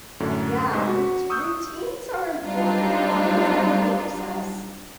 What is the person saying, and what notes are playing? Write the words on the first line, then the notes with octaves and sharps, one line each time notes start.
Yeah, rout routines are important because it makes us,
F#2 A2 D3
G#2 C3 G#3
F#4
C#6 D#6 E6 F#6 G6
F#3 G3 C4 D4 D#4 F4